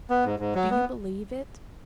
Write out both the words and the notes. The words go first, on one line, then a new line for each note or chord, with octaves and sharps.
Do you believe it?'
B3
G#2
G#2
F#3
B3